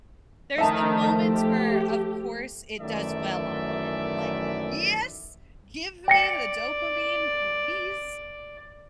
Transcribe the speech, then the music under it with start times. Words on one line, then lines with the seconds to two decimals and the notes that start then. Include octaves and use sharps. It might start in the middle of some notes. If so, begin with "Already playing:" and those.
there's the moments where, of course, it does well online, and I'm like, "Yes, give me the dopamine, please,"
0.58 D#3 F3 A3 D#4 E5 A5
1.25 G4
2.80 F#2 D#3 E3 A3 D5 E5
6.08 D5 G5 A#6 C#7